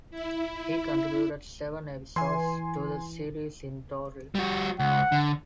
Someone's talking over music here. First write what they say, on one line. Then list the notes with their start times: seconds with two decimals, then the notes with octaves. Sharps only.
He contributed seven episodes to the series in total.
0.11 E4
2.16 E3 G#5 C6
4.35 G3 F#4
4.79 C#2 F#5
5.12 D3